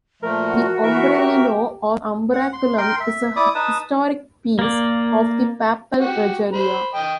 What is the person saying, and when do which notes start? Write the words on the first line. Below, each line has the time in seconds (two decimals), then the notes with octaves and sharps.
The "ombrellino" or umbraculum is a historic piece of the papal regalia.
0.22 A#2 F3 A3 A#4
0.41 F#4
0.82 E3 A#4 E5
1.17 G4
2.33 F#5
2.53 C6
2.78 A#4 G5 C6
3.00 E5
3.36 E4 D5 D#6
3.55 D#4 B4 A5 D#6
4.59 A#3 D5
6.01 F#4 G4
6.53 C5 B5
6.94 D#5 G5